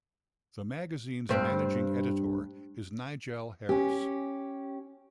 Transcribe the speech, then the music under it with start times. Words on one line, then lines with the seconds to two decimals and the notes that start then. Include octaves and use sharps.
The magazine's Managing Editor is Nigel Harris.
1.29 G2 C4
3.69 C#4 G4